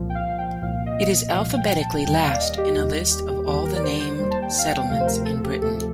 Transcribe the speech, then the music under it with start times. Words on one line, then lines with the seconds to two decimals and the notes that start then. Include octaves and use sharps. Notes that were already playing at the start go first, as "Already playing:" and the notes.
It is alphabetically last in a list of all the named settlements in Britain.
Already playing: C2 A#2 F3
0.10 G5
0.15 F5
0.38 G5
0.62 C2 A#2 F3 F5
0.86 D#5
1.33 C2 A#2 F3 F5
1.57 G5
1.81 A5
2.04 D#2 D#3 G3 G5
2.23 F5
2.34 D5
2.40 D#5
2.58 G4
2.75 D#2 D#3 G3 G4
3.11 G4
3.30 G4
3.47 D#2 D#3 G3 G4
3.65 A#4
3.76 D5
3.83 C5
4.00 C5
4.18 D#2 D#3 G3 C5
4.31 A5
4.42 G5
4.58 F5
4.66 G5
4.89 D2 C3 F3 A3 F5
5.00 C5
5.07 A#4
5.25 A4
5.44 G4
5.61 D2 C3 F3 A3 A4